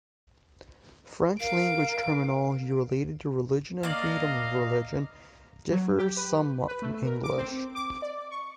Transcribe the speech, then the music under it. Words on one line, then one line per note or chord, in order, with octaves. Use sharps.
French language terminology related to religion and freedom of religion differs somewhat from English.
A#4 F5 D7
A#3 D5 D#5 F5 A#5
F#3
G4
B4
B4
A3
A#4
D6
C4
D6
D5
C#6